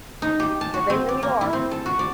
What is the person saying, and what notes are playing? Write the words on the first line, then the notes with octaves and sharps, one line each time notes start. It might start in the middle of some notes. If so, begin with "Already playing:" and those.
The They really are.
D#4
G4
A5
F#4
C4
D5
A#3
E4
C4
A4
F#4
D5